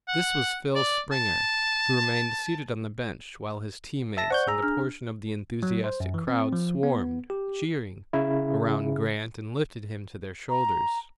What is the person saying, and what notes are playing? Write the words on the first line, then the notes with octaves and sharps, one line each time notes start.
This was Phil Springer, who remained seated on the bench while his team-mates and a portion of the enthusiastic crowd swarmed, cheering, around Grant and lifted him to their shoulders.
F#5
D5
A5
E5 A5 A#6
C5 D5 F#5 C#6 G6
G#4 A#5 E6
D4 F6
F#3
C5
F#2
E3
C4
F3
B3
G4
C#3 E4
A#5